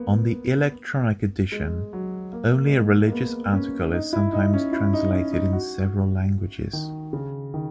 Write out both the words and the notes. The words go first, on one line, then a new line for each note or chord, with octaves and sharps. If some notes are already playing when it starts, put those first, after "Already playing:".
On the electronic edition, only a religious article is sometimes translated in several languages.
Already playing: A#3 B3
G#3
F#3
A#3
G#3
A#3
A#3
B3
C#4
D#4
E4
D#4
C#4
E4
D#4
C#4
D#4
F#4
D#3
C#3
D#3